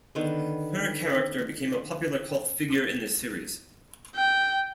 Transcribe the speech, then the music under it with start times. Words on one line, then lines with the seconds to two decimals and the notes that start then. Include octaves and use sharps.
Her character became a popular cult figure in the series.
0.15 D3 D#3 B3
4.16 G5